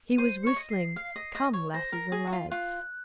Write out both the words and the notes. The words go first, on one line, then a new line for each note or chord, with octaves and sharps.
He was whistling "Come, Lasses and Lads."
C5 D#7
C#5 C#7
D#5
C7
F5
D#5
D#5
C#5
C5 A#6
A#4
G#4
F#4
F4
F4 F#6